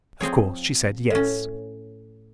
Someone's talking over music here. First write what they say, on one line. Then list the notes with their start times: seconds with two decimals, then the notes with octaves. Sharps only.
Of course she said, Yes.
0.21 F3 C4 G#4 C#5
1.10 A2 C#4